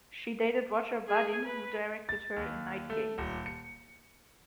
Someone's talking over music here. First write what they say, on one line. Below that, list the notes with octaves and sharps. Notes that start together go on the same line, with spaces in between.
She dated Roger Vadim, who directed her in "Night Games".
G#4 G#5
B4
A6
D#2
A3
D#1
C#7